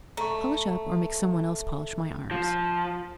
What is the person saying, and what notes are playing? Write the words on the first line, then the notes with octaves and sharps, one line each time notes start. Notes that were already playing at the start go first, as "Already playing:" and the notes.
Polish up or make some one else polish my arms.
A3 A#5 C#6
F3